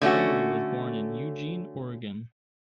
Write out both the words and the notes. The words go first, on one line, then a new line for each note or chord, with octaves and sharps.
Gregory was born in Eugene, Oregon.
D3 A3 C#4 F#4